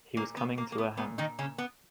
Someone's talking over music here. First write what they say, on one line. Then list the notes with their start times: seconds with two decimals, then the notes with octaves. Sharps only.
He was coming to her hand.
0.16 A#2 A#3
0.37 B3
0.58 A#3
0.72 A#3
0.78 B3
0.97 A#2 B3
1.18 D#3 D#4
1.39 C#3 C#4
1.58 B3